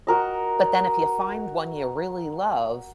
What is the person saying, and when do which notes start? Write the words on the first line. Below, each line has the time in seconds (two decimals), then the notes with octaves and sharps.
but then, if you find one you really love,
0.07 F#4 A#4 D#5